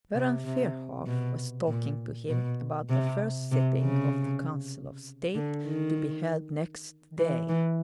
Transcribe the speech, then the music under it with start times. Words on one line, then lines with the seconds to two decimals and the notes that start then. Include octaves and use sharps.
Baron Firhoff was talking to him about the first sitting of the Council of State to be held next day.
0.15 C3
0.45 C3
1.07 B2
1.67 A#2
2.29 B2
2.89 C3
3.52 C3
3.81 C#3
5.35 D3
5.66 D#3
7.18 E3
7.49 E3